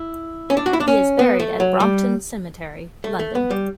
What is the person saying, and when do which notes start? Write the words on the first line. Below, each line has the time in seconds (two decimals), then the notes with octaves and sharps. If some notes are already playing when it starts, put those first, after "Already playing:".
He is buried at Brompton Cemetery, London.
Already playing: E4
0.50 C#4
0.57 D4
0.66 F#4
0.73 E4
0.80 D4
0.88 C#4
1.19 B3
1.40 A3
1.60 F#3
1.80 G3
3.04 A3
3.19 A3
3.35 B3
3.51 G3